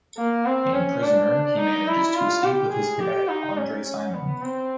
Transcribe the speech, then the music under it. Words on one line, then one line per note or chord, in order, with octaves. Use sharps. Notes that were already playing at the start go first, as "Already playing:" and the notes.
Made prisoner, he manages to escape with his cadet, André Simon.
A#3
C4
C#4
D4
D#4
E4
F4
G4
G#4
G4
D#4
C#4
C#4
B3
C4